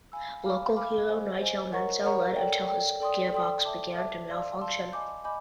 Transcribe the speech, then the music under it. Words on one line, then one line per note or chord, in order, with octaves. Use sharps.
Local hero Nigel Mansell led until his gearbox began to malfunction.
F5 G#5 B5 E6
F5 G#5 B5 D6 F6
F5 G#5 B5 D6 F6
C5 D#5 G#5
C5 D#5 G#5
A#4 C#5 F#5 A#5 C#6
A#4 C#5 F#5 A#5 C#6
A4 D5 G5
A4 D5 G5
A4 D5 G5 C6 D#6
A4 D5 G5 C6 D#6
E5 A5 D6
E5 A5 D6
D5 F5 A5 C6 E6
D5 F5 A5 C6 E6
D#5 G#5 B5 D6 G6
D#5 G#5 B5 D6 G6